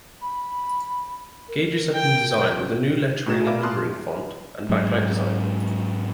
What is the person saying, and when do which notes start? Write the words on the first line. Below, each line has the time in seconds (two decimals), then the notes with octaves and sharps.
Gauges have been designed with a new lettering and numbering 'font' and backlight design.
0.22 B5
1.48 A#4
1.94 G5
3.26 A2 A3 D#4 G#4 G#6 E7
3.46 A#4 D5 E5 F5 B5 D6
3.63 A5 C6 D6 D#6 F6 F#6
4.69 G#2 F#3 G#3 C4